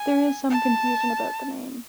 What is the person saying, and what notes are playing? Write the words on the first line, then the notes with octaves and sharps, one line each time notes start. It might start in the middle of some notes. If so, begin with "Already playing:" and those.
There is some confusion about the name.
Already playing: G#5
A5